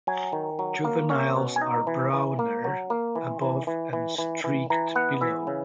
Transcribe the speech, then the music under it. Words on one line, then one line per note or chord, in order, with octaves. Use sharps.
Juveniles are browner above and streaked below.
F#3 G#5
D#3
F#3
A#3
C#4
B2
G#5
D#4 A#5
E3
E3
A#3
F#3
A#3
E3
E3
E3
E3
E3
E3
E3 A#5
B3 F#5
E3 E5
C#3